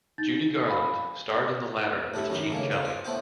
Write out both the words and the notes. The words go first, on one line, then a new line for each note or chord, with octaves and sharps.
Judy Garland starred in the latter with Gene Kelly.
D#4 G6 A6
F5 G#5 B5
A2 E4 G4
F#2 D#3 A#5 B5
A2 C#3 A#3
F5
F4
A2 A3 B3 C5 G5 D6